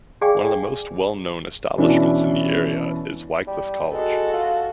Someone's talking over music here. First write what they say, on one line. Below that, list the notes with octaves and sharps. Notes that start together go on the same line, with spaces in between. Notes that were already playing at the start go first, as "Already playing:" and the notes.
One of the most well known establishments in the area is Wycliffe College.
G#4 D5 F5 G5 G#5 D6
B2 E3 C#4 D4 E4
G3
G#3 F#4 A4
F4